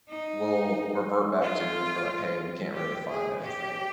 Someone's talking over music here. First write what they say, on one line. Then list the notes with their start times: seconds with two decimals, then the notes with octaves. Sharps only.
we'll revert back to if we're like, "Hey, we can't really find anything."
0.09 D#4
1.42 F4
2.74 G4
3.08 G#4
3.41 G4